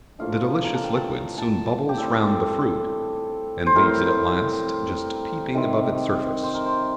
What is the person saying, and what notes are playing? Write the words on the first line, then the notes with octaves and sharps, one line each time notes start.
The delicious liquid soon bubbles round the fruit, and leaves it at last just peeping above its surface.
A2 F3 A#3 D4 F5
A#5
A5
G5
A5
A#5
A5
G4
A2 G3 C4 A4
C5
A2 G3 C4 A#4
C3 D#3 G3 C4
C5
A#4
C5